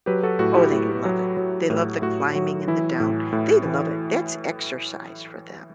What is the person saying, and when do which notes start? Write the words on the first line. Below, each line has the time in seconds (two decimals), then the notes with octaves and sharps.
Oh, they love it, they love the climbing and the down they love it, that's exercise for them.
0.06 F#3 G4 B4
0.23 F#4 A4
0.39 A2 F#4
0.56 E4 G4
0.72 A2
1.05 F#3
1.37 F#3
1.70 A2
2.02 A2 F#4
2.35 F#3 F#4
2.68 E3 E4
3.00 A2
3.33 A2
3.66 E3